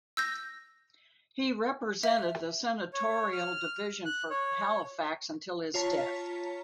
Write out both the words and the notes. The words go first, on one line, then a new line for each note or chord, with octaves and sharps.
He represented the senatorial division for Halifax until his death.
E6 G6 A#6
E5
C#5
F6
F#6
C#5
F4 C#5 A5 A#5 B6